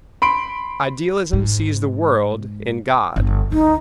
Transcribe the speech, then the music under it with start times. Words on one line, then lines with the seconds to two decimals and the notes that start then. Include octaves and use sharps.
Idealism sees the world in God.
0.22 B5 C6 D7
1.33 G#2
3.16 G1
3.52 D2 D#4